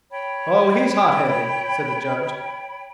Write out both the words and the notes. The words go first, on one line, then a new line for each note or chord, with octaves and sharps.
"Oh, he's hot-headed," said the Judge.
C#5 G5 B5